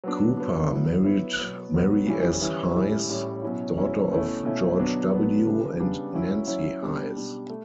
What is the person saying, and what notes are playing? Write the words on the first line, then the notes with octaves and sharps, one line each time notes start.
Cooper married Mary S. Hayes, daughter of George W. and Nancy Hayes.
F#3 B3 D4
F#3 B3 D4
F#3 B3 E4
F#3 B3 E4
B2 F#3 B3
B2 F#3 B3
E3 G3 C#4 E4
E3 G3 C#4 E4
A2 G3 C#4 E4
A2 G3 C#4 E4
B2 F#3 C#4 E4
B2 F#3 C#4 E4
B2 A3 C#4 E4
B2 A3 C#4 E4
B2 F#3 B3 D4
B2 F#3 B3 D4
C#3 G3 B3 D4
C#3 G3 B3 D4
F#3 C#4 E4
F#3 C#4 E4
B2 G3 D4
B2 G3 D4
A3